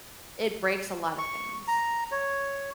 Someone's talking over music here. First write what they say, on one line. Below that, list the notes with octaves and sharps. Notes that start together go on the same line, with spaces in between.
it breaks a lot of things,
C#6
A#5
C#5